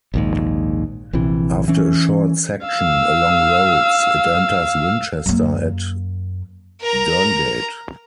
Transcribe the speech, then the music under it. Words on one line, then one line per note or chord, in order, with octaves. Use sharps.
After a short section along roads it enters Winchester at Durngate.
A#1 D#2 G#2
A#1 C3 E3
E3 C#4
F5 E6
F#2 A#3
A#4 A#5